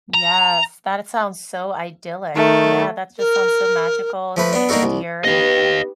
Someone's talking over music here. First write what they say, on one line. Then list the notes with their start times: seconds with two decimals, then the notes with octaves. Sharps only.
Yes, that it sounds so idyllic. Yeah, that just sounds so magical seeing the deer, and
0.14 A#5
2.36 D#3 A3
3.19 A#4
4.37 F3 A3 B4
4.53 B3 D4
4.69 A#3 D4 D#4 F#4 A4
4.83 C2
5.25 B3 D#4 G4 B4 D#5 F5